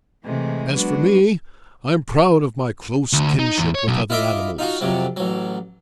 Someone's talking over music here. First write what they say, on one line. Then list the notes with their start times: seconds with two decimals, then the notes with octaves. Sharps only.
As for me, I am proud of my close kinship with other animals.
0.24 C3 E3 G#3 A3
0.74 F#3 G#3 B3 D4 F#4
3.13 D2
3.39 D#4
3.58 E2
3.75 C#5
3.88 B1
4.10 E4 F4 D#5 E5 D6
4.59 D#4 F4 F#4
4.81 F2 C3 F#3
5.17 A1 F#3